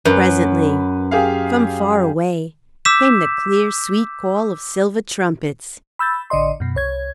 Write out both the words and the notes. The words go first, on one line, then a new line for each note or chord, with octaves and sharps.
Presently, from far away, came the clear, sweet call of silver trumpets.
F#2 B4
G4 G#4 F5
D6 E6 G6 B6 E7
B5 E6 G6 A6
A1 D3 D5 D#5 C6
F#2 B2
C2 C#5 G#6